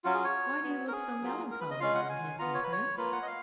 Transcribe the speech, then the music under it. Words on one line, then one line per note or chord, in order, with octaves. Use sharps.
'Why do you look so melancholy, my handsome Prince?'
F#3 C#4 F4 F#4
G#4
C#5
B3 F#4
A#4
G#4
F#3 A#3 F4
A#4
B4
D#5
G#3 C#4 F4 F5
F#5
G#5
B3 F4 A#5
C#5
B4
C#5
A#3 F4 B4
F#5
D#5
F5